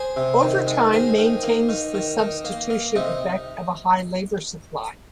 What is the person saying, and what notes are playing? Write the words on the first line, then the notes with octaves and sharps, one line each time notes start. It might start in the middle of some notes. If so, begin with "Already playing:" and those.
Overtime maintains the substitution effect at a high labour supply.
Already playing: G#4 C5
C3
D#3
G#3
D#3 G#4 C5
D#3
A#3
D#3
D#3
D#3
A#3
A#3
C3 D#4